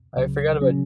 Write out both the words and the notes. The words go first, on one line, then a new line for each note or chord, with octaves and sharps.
I forgot about
C#2 C#3 F#3
C#3 F#3 C#4